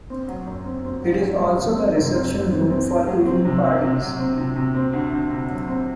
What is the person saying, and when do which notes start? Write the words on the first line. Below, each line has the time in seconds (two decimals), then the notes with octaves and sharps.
It is also the Reception-room for evening parties.
0.10 C4
0.28 F#3
0.47 F#2
0.65 C4
0.84 C4
1.03 F#3
1.21 F#2
1.39 F#2
1.58 F#2
1.77 C4
1.96 F#2
2.14 C4
2.33 F#2
2.51 C4
2.70 C4
2.89 C4
3.07 F#3
3.25 C4
3.45 C3
3.64 C4
3.82 C3
4.01 F#3
4.19 C4
4.38 C3
4.56 C3
4.75 C4
4.93 D2
5.12 D2
5.30 C3
5.49 F#3
5.68 C4